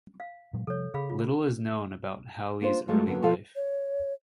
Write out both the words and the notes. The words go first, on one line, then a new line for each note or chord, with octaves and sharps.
Little is known about Howley's early life.
F5
A#2 F#3 G#3
C3 F3 G3 A4 C#5
C#3 G#4 F5 B5
F4
A#3 D4 F4 A#4 C5
F#3 G#3 A3 F4
D3 F#3 A#3 B3 C#4
B2 F3 F4 A4 F5
C#5